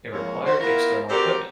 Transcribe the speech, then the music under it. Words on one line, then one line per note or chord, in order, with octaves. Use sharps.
It required external equipment.
F2 G#3 A#3 E4 C#5
F#4 C5
B3 E4 F4 A#4
C4 F#4 G4 A4 A#4 D5